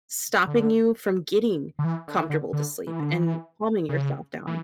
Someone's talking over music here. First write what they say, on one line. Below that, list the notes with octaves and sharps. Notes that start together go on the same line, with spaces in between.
stopping you from getting comfortable to sleep and calming yourself down.
D3
D3
E3
D3
E3
D3
D3
E3
D3
E3
C#3
E3